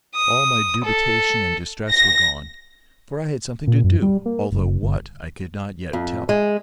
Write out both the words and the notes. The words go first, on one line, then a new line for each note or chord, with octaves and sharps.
All my dubitation and distress were gone, for I had something to do, although what I could not yet tell.
D#6
A4
A#6
A#2
F#2
G3
A#3
F#1
G1
F2
G#3